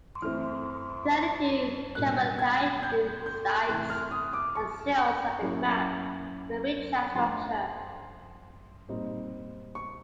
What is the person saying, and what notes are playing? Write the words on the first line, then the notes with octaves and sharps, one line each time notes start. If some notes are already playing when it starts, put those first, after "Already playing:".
Thirty-two carbonatite dikes and sills have been mapped within the Richat Structure.
E3 A3 C4 E4 F6
B2 G3 A#3 D4 F#6
G#6
G#6
G#6
G6
G6
C3 E3 A3 F#6
F6
D#6
D6
C#6
C#6
F#3 A#3 C#4 E4
F3 A3 D4 C6
A#2 G3 C4 D#4
C#6